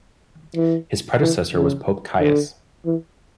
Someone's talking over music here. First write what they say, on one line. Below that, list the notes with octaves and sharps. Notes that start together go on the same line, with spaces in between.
His predecessor was Pope Caius.
E3
E3
C#3
D3
E3